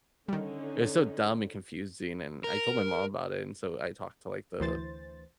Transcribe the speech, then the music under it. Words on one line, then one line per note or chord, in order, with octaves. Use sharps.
it was so dumb and confusing, and I told my mom about it, and so I talked to, like, the
D3 D#3 G3 C#4 D#4
A#4
D2 E3 C5 A6